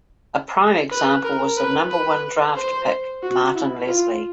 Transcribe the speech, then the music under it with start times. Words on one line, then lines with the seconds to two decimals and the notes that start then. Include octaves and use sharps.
A prime example was the number one draft pick, Martin Leslie.
0.91 B4
1.24 A#4
1.57 B4
1.90 B4
2.56 C5
3.23 F#4
3.56 E4
3.88 F4